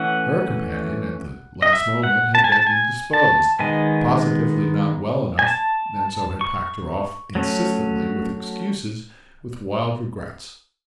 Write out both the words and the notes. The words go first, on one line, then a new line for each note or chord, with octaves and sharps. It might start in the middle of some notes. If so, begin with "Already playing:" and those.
Her companion, at the last moment, had been indisposed--positively not well enough, and so had packed her off, insistently, with excuses, with wild regrets.
Already playing: E3 A3 C#4 F#5
D#5
E5
F#5
A5
G#5
A5
G#5
A5
D#3 G#3 B3 G#5
G#5
A5
C#6
F#3 A3 C#4